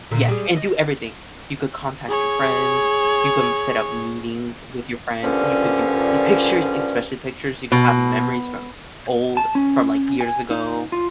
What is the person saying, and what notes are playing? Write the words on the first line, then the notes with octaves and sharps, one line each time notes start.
Yes, and do everything. You could contact your friends, you come set up meetings with your friends, you could do i pictures, especially pictures, you could have memories from old from like, years ago,
A#2 D3 A3
G3 G#3
D#5
G#4 C#5
G2 A#2 D3 F3 C#4
B2
A5
C#4
G#5
D#4
F4